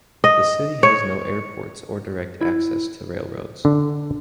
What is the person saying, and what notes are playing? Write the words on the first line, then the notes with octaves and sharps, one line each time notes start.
The city has no airports or direct access to railroads.
D#5
C#5
E4
D3